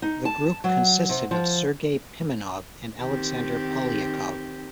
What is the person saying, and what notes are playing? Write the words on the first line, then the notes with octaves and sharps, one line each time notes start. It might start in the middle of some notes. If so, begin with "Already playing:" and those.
The group consisted of Sergei Pimenov and Alexander Polyakov.
D#4
A5
F#3
C3
F3
D#3 C4 G4